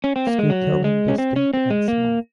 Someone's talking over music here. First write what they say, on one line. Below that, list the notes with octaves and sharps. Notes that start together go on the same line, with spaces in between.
Scutellum distinct and small.
C#4
C4
A#3
G#3
F#3
G#3
C#4
C4
C#4
C4
G#3
A#3